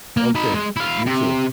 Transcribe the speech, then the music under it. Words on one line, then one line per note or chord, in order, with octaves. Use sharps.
Okay, you too.
A#3
D#4 B5
G#3
E4 F5
C3